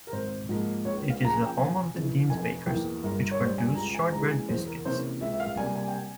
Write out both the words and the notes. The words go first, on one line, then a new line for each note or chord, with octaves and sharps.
It is the home of the Deans bakers, which produce shortbread biscuits.
A#4
G#1 C5
G#2 F3 A#3
C#2 C#5
F5
C#3 F3 A#3 A#5
G#5
G5
F1 G#5
F2 C#3 E3
F1 G#5
E2 E3 A#3 G5
G1 A#4
A#4
C#5
G2 G3 C5
G#5
C#2 A#5
G#5
C#3 E3 G#3 A#5
G#5
E2 C5
A#4
C3 E3 A#3 C#4 C5
C#2 E5
E5
F5
C3 G3 A#3 G#5
G#5
G5
G#5